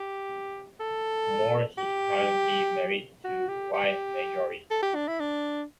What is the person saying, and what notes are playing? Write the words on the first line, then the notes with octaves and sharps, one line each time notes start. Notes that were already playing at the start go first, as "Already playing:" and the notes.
Moores is currently married to wife Marjorie.
Already playing: G4
A4
G4
F#4
G4
G4
A4
G4
D4
E4
D4